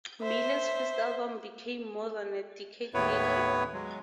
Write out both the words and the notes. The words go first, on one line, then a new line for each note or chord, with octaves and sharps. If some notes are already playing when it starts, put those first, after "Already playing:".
Miller's first album came more than a decade earlier.
C5 E5
D#2 A2 B3 E4 B4 C#5
F#3 G#3